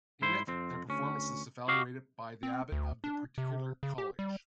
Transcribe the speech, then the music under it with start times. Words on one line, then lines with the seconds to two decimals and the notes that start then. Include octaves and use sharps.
In it their performance is evaluated by the abbot of the particular college.
0.22 G#2 E4 C5
0.48 F2 C4
0.89 D2 C#4
1.68 F#4 G4 D#5 F5
2.43 C4
2.72 D2
3.04 D4
3.38 C3
3.83 C#3
3.98 G4
4.19 G3